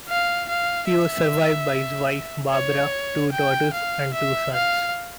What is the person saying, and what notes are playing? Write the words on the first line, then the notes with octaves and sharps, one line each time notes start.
He was survived by his wife Barbara, two daughters, and two sons.
F5
F5
E5
C#5
G5
F5
E5
F5